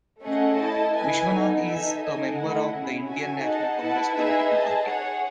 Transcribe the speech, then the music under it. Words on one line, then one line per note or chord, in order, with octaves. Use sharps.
Vishwanath is a member of the Indian National Congress political party.
A3 C#4 G#4 D#5 F#5
E4 A4 D#5 A5
E4 B4 D#5 G#5
B3 D#4 A4
D#4 A4 E5 G#5
D#4 A4 D#5 G#5
A3 E4 A4 D#5 F#5
C#4 E4 G#4
F#4 A4 E5 G#5
D#4 G#4 D#5 F#5 A5
E4 B4 F#5 A5
D#4 G#4 B4 E5 G#5
G#4 D#5 A5
G#4 C#5 F#5